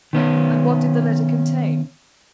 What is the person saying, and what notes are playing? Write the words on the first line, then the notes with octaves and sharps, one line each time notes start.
"And what did the letter contain?"
D#3 B3 C#4